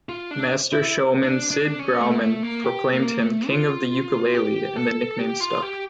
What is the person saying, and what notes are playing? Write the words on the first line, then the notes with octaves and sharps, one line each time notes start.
Master showman Sid Grauman proclaimed him "King of the Ukulele" and the nickname stuck.
F4
D4
E4
D4
D4
C#4
A3
A3
A#3
G4
A#3
A3
F4
G4
A4
G4
F4
G4